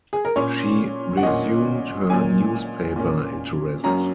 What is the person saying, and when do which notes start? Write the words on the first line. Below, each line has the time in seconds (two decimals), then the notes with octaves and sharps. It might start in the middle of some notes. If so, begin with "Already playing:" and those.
She resumed her newspaper interests.
0.13 G#4
0.25 A#4
0.36 A#2 A#3 C#4 C#5
1.17 F#5
1.23 A#2 A#3 C#4 D#5
2.10 A#2 A#3 C#4 G#5
2.96 A#2 A#3 C#4
3.84 F#2 F#3 A#3 C#4 A#5